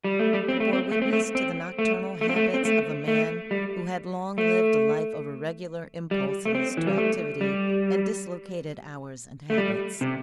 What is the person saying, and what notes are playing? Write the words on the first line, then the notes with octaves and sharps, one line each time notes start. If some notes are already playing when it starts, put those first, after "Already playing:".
It bore witness to the nocturnal habits of a man who had long lived a life of irregular impulses to activity and dislocated hours and habits.
G3
A3
G3
C4
A3
C4
A3
C4
A3
C4
A3
A3
C4
A3
C4
A3
A3
G3
A3
G3
A3
C4
E3
G3
A3
G3
A3
G3
C3